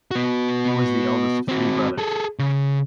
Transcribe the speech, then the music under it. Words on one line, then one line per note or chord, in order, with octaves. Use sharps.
He was the eldest of three brothers.
B3 F#4
C4 F#4
G#4 A4
C#3